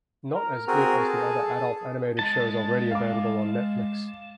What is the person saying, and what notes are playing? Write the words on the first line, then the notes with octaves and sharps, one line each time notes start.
Not as good as the other adult animated shows already available on Netflix.
A#4
C4 F#4 G#4 A#4
A4
G#3 D#5 A5
F5 D6